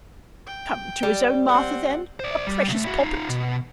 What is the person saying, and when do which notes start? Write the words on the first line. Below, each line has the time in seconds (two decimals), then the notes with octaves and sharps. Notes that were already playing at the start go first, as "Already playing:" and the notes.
'Come to his own Martha, then - a precious poppet!'
0.47 G5
1.03 G3
1.48 C4 F#5
2.20 C5 D5
2.47 G3
2.68 C2 A3
2.84 E4 F#4
3.00 D#4 F4
3.29 B2